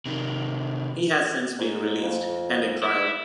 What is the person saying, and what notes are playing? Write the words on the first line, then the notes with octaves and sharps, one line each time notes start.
He has since been released pending trial.
C3 D#3
G#2
F2
E4